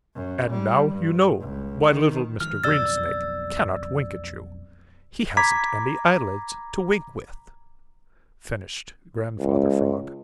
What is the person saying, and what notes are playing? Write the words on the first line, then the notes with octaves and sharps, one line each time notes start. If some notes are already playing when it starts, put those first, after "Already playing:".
"And now you know why little Mr. Greensnake cannot wink at you; he hasn't any eyelids to wink with" finished Grandfather Frog.
F#2
G3
G2
C#2
D#3
D#3 F3 G#3 F6
B1 F2 D5 E6 A6
A#5 B5 D6 G#6 B6
C#2